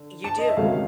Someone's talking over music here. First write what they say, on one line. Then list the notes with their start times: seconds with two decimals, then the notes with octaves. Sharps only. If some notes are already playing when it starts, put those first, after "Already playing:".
You do.
Already playing: D3
0.24 A5
0.39 D#5
0.48 E5
0.57 D2 C3 D#3 G#3 C#4 F5
0.72 F5